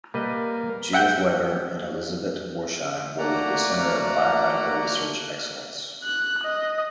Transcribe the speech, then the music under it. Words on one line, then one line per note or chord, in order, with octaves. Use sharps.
Judith Weber and Elisabet Borsheim will lead the Center of Biomedical Research Excellence.
G3 A#3 B4 D#5
E5 F#5 G5 G6
A3 A#3 F#4 D5 F#5 A#5
F#6
D#5